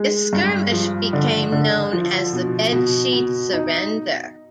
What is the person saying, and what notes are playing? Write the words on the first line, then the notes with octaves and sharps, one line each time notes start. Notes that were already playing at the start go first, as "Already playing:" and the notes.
This skirmish became known as the Bedsheet Surrender.
Already playing: G#3
G2
F3
D3
D3
F3
B2
B2
B2
D#4